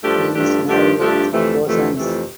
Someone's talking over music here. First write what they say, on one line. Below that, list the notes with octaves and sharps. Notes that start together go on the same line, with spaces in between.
He is married with four sons.
G2 F3 A3 D4 G4
G2 F3 A3 D4 G4
G2 F3 A3 D4 G4
G2 F3 A3 D4 G4
F2 C3 E3 A3
F2 C3 E3 A3
F2 C3 E3 A3